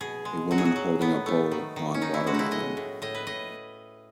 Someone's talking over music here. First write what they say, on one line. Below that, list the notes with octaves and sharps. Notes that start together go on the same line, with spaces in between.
A woman holding a bowl on watermelon.
B2 G#4
G#3
F#3 F#4
G#4
F#4
F#3
A2 B3
A3
D#3
D#3
C#4
D#3 D#4
E4
G#3 F#4
D#4 E4
A2 D#5
A2
A2 D#5
B4
A2 D#5